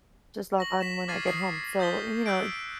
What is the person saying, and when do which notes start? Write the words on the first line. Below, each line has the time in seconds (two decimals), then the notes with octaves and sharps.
Just log on when I get home, so, you know
0.58 C#6 A#6 F#7
0.80 B6 E7
1.08 D6 F6 G#6 A6 C7 D#7
1.26 D#6 C7
1.79 D#6 G6 A6 B6 G7
2.26 D#6 E6 F#6 G6 D7